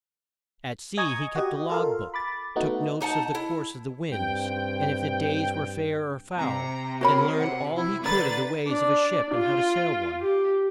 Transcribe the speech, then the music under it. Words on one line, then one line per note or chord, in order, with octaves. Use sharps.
At sea he kept a log-book, took notes of the course of the winds, and if the days were fair or foul, and learned all he could of the ways of a ship and how to sail one.
D#5 G#5 A#5 C#6 D#6 G#6
F#4 G4 D#5
F4 A4 A#4 F5
B5 D6 A6
A3 B3 D#4 F#4
D4 D#4 F#5 A5
E4
G2 C4 G5
C3 A#5
F#4 A#4 C#5 B5
F#5
E4
D3 B4 A#5 A6
D4
F4
G4